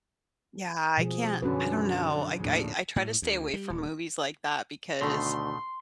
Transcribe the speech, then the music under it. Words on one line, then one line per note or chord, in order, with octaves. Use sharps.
Yeah, I can't I don't know. I k I I try to stay away from movies like that because
B2 F3 G#4
F#2 D3 C#4 F#4 B4
D#2 A2 C#3 F3 D4
A2
D2
G3
D#1
D2 B2 D#3 A3 C6